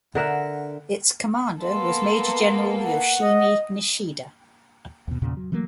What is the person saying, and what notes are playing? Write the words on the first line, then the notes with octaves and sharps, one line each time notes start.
Its commander was Major General Yoshimi Nishida.
D3 A#4 E5 F#5
A#3 B3 A4 C6
F#5
D#5
D#2 B2
E2 A#2 C#3
F#3
E3 F#3 A3 A#3